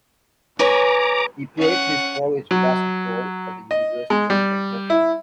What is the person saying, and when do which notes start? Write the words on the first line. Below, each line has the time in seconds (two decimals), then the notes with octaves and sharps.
He played his college basketball at the University of Kentucky.
0.59 G#4 B4 C#5 A#5 D6
1.57 C#4 F#5
2.51 F#3
3.71 D#5
4.10 G#3
4.30 G3
4.90 E4